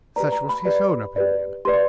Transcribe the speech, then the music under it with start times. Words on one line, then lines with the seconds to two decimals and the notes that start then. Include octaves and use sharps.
Such was his own opinion.
0.16 G4 B4 D5 A#5
0.32 A#5
0.49 B5
0.66 G4 B4 D5
1.16 G4 B4 D5
1.65 G4 B4 D5 C6